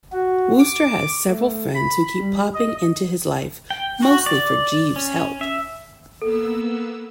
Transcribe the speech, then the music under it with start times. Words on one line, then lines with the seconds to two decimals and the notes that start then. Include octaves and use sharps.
Wooster has several friends who keep popping into his life, mostly for Jeeves' help.
0.12 F#4
0.59 D6
1.28 A3
1.74 B5
2.19 G3
2.54 D#5
3.70 G5
4.03 F#4
4.26 D5
4.96 C#4
5.41 E5
6.22 A#3 B3 A4 E6